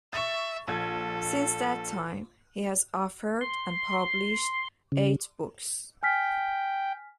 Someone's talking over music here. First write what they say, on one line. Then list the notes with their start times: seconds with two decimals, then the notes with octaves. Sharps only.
Since that time, he has authored and published eight books.
0.13 E5 C#6 A6
0.68 A#1 A4 G#6
3.41 C6
4.92 C#3
6.03 G5 G#5 F6 B6